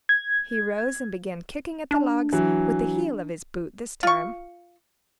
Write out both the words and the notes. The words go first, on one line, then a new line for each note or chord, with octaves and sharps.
He rose and began kicking at the logs; with the heel of his boot this time.
G#6
D4
E3 F#3
F4 C#6